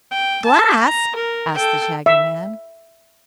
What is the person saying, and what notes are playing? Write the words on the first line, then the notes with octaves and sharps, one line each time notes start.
"Glass?" asked the Shaggy Man.
G5
A5
A#5
A#4
A4 G5
E5